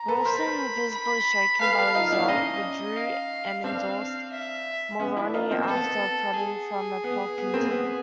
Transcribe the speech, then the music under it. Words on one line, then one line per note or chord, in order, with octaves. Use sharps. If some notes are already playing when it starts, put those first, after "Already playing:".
Wilson, visibly shaken by the result, withdrew and endorsed Mulroney after prodding from Pocklington.
Already playing: A#5
A4 B4
A#4 C5 B5
B5
A4 B4 F5
A4 B4
D#4 F4
D4 E4
C#4 D#4 D#5
F5
C4 D4 F5
E5
B3 C#4
D4 E4
D#4 F4
A#3 C4
C4
B3 A4
G#4
B3
B3
A#3 C4
B3